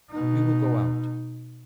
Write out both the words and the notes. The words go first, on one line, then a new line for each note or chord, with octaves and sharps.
We will go out.
B2 D#4